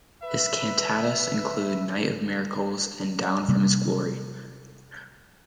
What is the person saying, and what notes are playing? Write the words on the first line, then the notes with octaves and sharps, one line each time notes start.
His cantatas include "Night of Miracles" and "Down From His Glory".
B4 E5
C3 G3 A#3